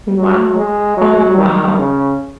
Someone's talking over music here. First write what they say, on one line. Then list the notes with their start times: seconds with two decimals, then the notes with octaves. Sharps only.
Wow. Oh wow.
0.16 F#3
0.56 G#3
0.97 F#3
1.38 D#3
1.78 C#3